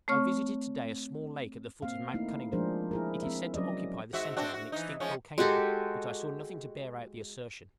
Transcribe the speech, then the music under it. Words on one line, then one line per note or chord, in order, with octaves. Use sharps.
I visited to-day a small lake at the foot of Mount Cunningham; it is said to occupy the centre of an extinct volcano: but I saw nothing to bear out the assertion.
A3 C4 C#5 C#6 F6
A#3 C4 F5
A3 A#3 D#4 E4
F3 G#3 D4 G#4 A#4 C5
E4 G#4 A#4
C4 E5
F#3 C#4 D5 D#5
G#2 F#4 E5
C4 D4 F#4
F#4
E3 D#4
F3 G#3 C#4
G#3 F#4 G4 A4